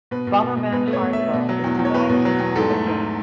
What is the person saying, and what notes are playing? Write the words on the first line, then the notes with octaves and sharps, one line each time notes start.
Bomberman Hardball is divided into four games.
B2 B4
B2
B2
B2
B2 B4
A3
C#5
B2
A3 E5
B2
F#3
E2
E2
C#5
E2 B4
B2
F#3
E2
G#2 A4
A3
G#2